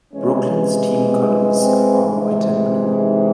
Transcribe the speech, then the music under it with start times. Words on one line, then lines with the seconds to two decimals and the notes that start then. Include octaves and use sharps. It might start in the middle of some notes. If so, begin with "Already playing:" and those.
Brooklyn's team colors are white and blue.
0.13 C3 E3 G#3 C#4
1.08 C4
1.56 C4
2.03 C3 E3 G#3
2.98 D#4